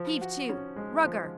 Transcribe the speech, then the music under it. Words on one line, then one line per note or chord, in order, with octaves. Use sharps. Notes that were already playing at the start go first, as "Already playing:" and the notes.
Heave to. Rugger.
Already playing: F3
F#4
C#4
G#3
F3